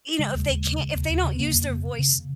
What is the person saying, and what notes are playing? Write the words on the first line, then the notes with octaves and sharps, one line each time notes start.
you know, if they can't if they don't use their voice
C#3 G#3
D#2
D#2
C#3
C#3
D#2
D#2
C#3
C#3 A#3
F2
F2
C#3
C#3